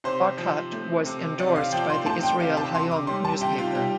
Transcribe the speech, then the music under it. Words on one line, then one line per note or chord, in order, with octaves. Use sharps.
Barkat was endorsed by the "Israel Hayom" newspaper.
C3 C5
F3
A3
C3
C3 D5
F5
F3 G5
C6
A3 A5
G5
C3 F5
A5
C3 C6
D6
G3 C6
A5
C3 G5
F4
G3 G4